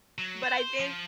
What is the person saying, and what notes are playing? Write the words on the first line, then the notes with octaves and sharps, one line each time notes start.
But, I think
F#3
C5
F3